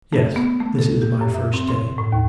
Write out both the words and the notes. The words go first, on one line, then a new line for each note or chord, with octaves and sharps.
'Yes, this is my first day.'
A3
B3
A3
A4
G4
F#2
E5
C4
C6
A2
D#2